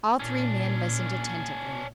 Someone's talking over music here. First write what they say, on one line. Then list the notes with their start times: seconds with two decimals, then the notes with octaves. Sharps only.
All three men listened attentively.
0.20 A#2 C#4 D4